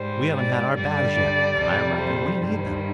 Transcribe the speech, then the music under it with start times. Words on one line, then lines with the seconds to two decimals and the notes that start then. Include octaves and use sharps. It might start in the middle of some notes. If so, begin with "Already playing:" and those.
"We haven't had our baths yet and I reckon we need them."
Already playing: G#2 G3 C5
0.34 D5
0.74 G2 D3 G3 D5
1.57 F2 C3 G3
1.98 C5
2.39 G2 D#3 G3 C5